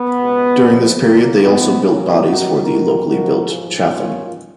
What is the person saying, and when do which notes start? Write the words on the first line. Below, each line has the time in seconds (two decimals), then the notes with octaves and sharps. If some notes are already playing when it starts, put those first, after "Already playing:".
During this period, they also built bodies for the locally built Chatham.
Already playing: B3
0.17 C#2 B2 G#3
0.58 F2 F3 G#3
1.00 A#2 F#3 A#3
1.41 F#2 F3 G#3 B3
1.83 D#2 C#3 F#3 A#3 C#4
2.24 F#2 D#3 F#3 D#4 F#4
2.65 F2 D#3 G#3 F#4 A#4
3.07 G#2 F3 G#3 F#4 A#4
3.48 G#2 F3 G#3 F4 G#4
3.89 D#2 D#3 F#3 C#4 F4